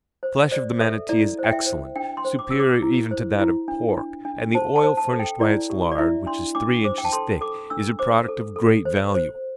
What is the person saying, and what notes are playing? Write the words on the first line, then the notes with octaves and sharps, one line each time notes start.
The flesh of the manatee is excellent, superior even to that of pork, and the oil furnished by its lard, which is three inches thick, is a product of great value.
C5
C5 D5
A4 E5
E4 D5
C5
G5
E5
C5
D4 G5
C6
C5
D6
G4 E6
D6
E4
C5
E4
D4
D4
D4
C5 A5
A5
C5
A5
A4
G5
E4 D5
G4
D5
E4 E5
D4 C6
D4 D6
C5 D6
G5
A5
A4 C6
A4 D6
D4 E6
C5 D6
A4
A4
C5
C5